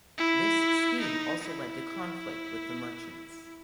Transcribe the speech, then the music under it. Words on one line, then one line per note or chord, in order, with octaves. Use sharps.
This scheme also led to conflict with the merchants.
E4
D#4
E4